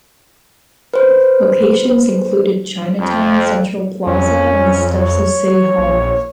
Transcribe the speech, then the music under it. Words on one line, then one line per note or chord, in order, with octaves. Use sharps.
Locations included Chinatown Central Plaza and the steps of City Hall.
B4 C5
F2
F2 C#4
C#5
A#1